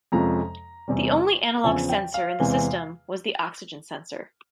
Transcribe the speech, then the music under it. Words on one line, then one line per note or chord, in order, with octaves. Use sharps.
The only analog sensor in the system was the oxygen sensor.
F2 C3 F3 G#3 C#4 A#5
E2 C3 G3
E2 C#3 F3 C4 G#5
G5
F5
E2 C3 E3 G#3